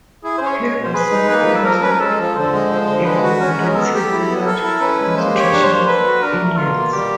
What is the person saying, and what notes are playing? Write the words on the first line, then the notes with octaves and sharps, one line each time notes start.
Here are some areas with a comparatively larger concentration of Indians.
E4 G#4
C#4 C5
C#5
G#3
B2
C5
G#4 B4
D#4
A#3 B4
F3
A4
F3 A#4
C#4 B4
A#4
G#3 A4
F3
D3 C5
G#3
F3 C5
D3
G#3 B4
F#4
C#4 A#4
G#3
A#4
B3 A4
G4
E4
B3
A4 A#4
E4
C#4 B4
G#3
A#3 C5
G4
C#5
D4
C5
A#3
A4 B4
F#4
D4 A#4
A3
B2 F4
A#3
G3 G4